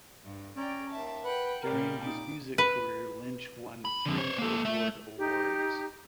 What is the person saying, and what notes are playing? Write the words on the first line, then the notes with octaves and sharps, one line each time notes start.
During his music career, Lynch won three Billboard awards.
G2
C#4 D5 G5 A#5
D#2 E5 A5
B4 F#5 G5
A#2 G3 G#3 A#4
D#4 D6
B4
B5
F2 D3
C5 C#5
A#3 A4
A3 E5
D#4 G4